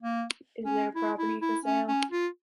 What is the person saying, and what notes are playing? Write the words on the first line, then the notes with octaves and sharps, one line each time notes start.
Is there a property for sale?
A#3
C#4
E4
E4
E4
C#4
C#4
F4